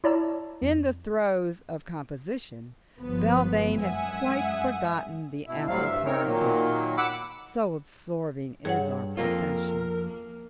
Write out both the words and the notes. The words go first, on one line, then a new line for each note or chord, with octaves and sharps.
In the throes of composition Belvane had quite forgotten the apple-pie bed, so absorbing is our profession.
E4 C#5 D5 A5 A#5 E6
F2
G1 F3 B3 B4
F#2 G#3 E5 F#5 G#5 D#6
B2 E4
D2 A2 F#3 G3 C4 F5
G2 E5
C4 D#4 A#4 C#5
A#2 D#3 F#3 A#3
F#5 B5 D6 E6
G2 G#4 C#5 F#5
F2 A#3 F4 A#4
A#3